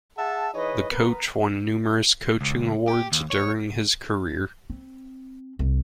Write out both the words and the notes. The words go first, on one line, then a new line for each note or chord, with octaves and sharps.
The coach won numerous coaching awards during his career.
G#4 E5 F#5 A5
E3 D#4 G#4 B4 C#5 D#5
B3 A#4 B4
C#2
G4
D#2
C#5
C4
C2